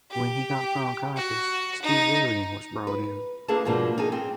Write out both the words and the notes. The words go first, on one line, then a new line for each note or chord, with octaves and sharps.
When he got bronchitis, Steve Zaillian was brought in.
G4
F#4
D#4
B4
A#3 D4 G#4 A4 B4 A5
G#2 B2 F3 A#3 D4
D#4 G#4 A4 G#5
C4